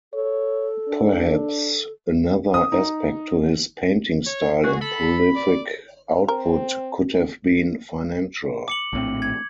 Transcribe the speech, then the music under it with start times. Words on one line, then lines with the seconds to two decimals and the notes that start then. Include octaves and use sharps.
Perhaps another aspect to his painting style and prolific output could have been financial.
0.13 A4 C#5
0.89 D4
2.54 D#6
2.72 D#4
4.27 C#5
4.63 F#4 G#4
4.81 A4 B5
5.36 D5
6.28 C4 A#4
8.68 D6 C#7 F#7
8.93 A#1 A2 C4
9.22 G#6